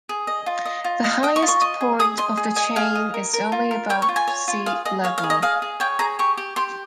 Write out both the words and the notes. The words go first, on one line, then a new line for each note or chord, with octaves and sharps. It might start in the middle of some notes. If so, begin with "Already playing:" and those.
The highest point of the chain is only above sea level.
G#4
D#5
F4
D#5
F4
D#5
D#5 G5
C#6
F4
C#6
D#5
G#4
G#4 D#6
D#5 C6
G#4
D#5 G#5
G#4 F5
D#5
A#4
A#4
F4
A#4
C#5 G5
C#6
F4
G#5
C#5
F4
G#4 F5
G#4 D#5
C#5 F5
F5
G#4
D#5
G#4 F5
G#4
C#5 G5
G#4 A#5
G4 C#6
G4
G4 C6